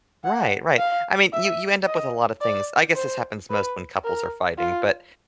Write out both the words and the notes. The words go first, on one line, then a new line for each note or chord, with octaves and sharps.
Right, right. I mean, you, you end up with a lot of things, I guess this happens most when couples are fighting, but,
F#5
F5
E5
D#5
D5
C5
B4
A#4
F4